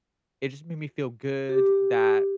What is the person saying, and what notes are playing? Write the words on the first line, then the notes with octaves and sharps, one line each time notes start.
it just made me feel good that
G4